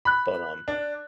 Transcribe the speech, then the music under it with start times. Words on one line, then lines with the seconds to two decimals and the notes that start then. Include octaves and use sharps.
but, um,
0.05 B5 F#6
0.68 D4